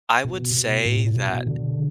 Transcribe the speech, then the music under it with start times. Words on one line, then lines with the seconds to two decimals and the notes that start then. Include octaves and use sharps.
I would say that
0.25 B2
0.51 C3
0.54 B2
0.86 A2
1.16 B2
1.47 D3